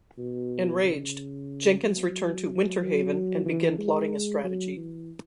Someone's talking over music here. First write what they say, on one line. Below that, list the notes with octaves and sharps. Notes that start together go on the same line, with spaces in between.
Enraged, Jenkins returned to Winter Haven and began plotting a strategy.
B2
C#3
F#3
F#3
E3
G#3
F#3
E3